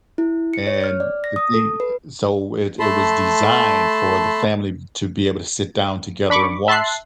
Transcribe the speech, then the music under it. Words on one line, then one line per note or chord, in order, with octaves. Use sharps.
And the thing so it it was designed for the family to be able to sit down together and watch
E4
C#7
C#5
F6
D5
A#6
D#6
A4
B4
A3 A5 B5 C6
D4 B5 C#6 D6
E5 A5 C6 F#6 C7